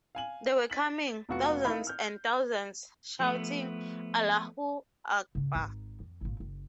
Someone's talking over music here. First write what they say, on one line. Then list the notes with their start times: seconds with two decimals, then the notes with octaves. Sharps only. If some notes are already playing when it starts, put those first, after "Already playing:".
They were coming, thousands and thousands, shouting 'Allahu Akbar!
0.15 F5 G#5 F#7
0.70 A6 B6 F#7
1.29 F1 B3 F4 F#4 C#6 C#7
1.65 D#4 E4 A#4 D#5 F5 B5
1.87 F6 G6
3.20 F3 A3 B3
5.35 G2 C#3
5.55 G#1 D#4
6.00 F2
6.21 G#1 A#2
6.40 F#1